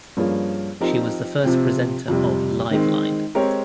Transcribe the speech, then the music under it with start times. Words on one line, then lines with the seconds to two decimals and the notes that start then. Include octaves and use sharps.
She was the first presenter of "Liveline".
0.17 G2 F3 A#3 C#4 G#4
0.80 F3 C4 D#4 G4 A#4
1.44 C3 F3 C4
2.08 F2 C3 G3
2.71 D#3 G#3 C4
3.35 G#3 C4 G4 A#4 C#5